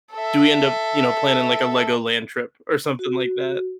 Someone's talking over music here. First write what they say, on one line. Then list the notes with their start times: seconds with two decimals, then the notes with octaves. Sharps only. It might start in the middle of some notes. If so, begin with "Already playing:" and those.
do we end up, you know, planning, like, a LEGOLAND trip or something like that?
0.13 A4 E5
2.99 F#4